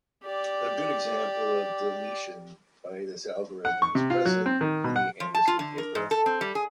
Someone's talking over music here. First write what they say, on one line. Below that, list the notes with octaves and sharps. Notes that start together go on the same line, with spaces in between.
A good example of deletion by this algorithm is present in the Andersson paper.
G4 D5
F#5
C#6
C3
F4
F#3
C4
D#3
B2
F#5
F3
A5
F4
D3
A#4
G#2
A4
C4
G3
G#4